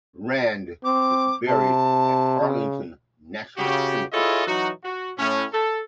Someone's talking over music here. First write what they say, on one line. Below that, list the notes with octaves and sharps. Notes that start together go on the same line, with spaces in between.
Rand is buried at Arlington National Cemetery.
C4 D6
C3 A5
C#3
C#3 F#4 G4
E4 F4 G#4 A4 C#5 D#5
E3 F#3 D#4 F#4
F#4
A2 C#4
A4